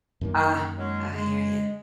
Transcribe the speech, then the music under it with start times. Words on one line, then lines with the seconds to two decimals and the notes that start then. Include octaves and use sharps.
Ah, I hear you.
0.21 F#2 D#3 A#3
0.78 F#3 G#3 C#4
1.14 G#3